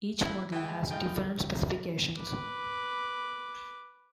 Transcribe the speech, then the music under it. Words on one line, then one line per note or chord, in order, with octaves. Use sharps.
Each model has different specifications.
E4
E3 F3 G#3 E4 G5
A2 D#4 F4 D#5 G5
B4 D6